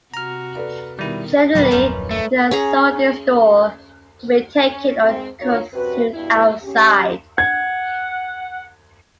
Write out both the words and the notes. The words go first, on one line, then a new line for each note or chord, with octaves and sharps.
Generally, these are sold in-store to be taken or consumed outside.
C3 F#4 A#5 F6
A4 B4 D5
B2 D#3 G3 E4
D2 A#2 F#3 G3 A#3 B4
D#1 A#1 F#2 C#4 D#4 F4
A3
C#4 G#4 A#5
C#4
G#2 C4
D#3 A#3 D4 F4 F#4 C#5
F#2 C3 F#4 B4
G2 B2 E4
D#2 C#3 C#4 G4
F#5 G#6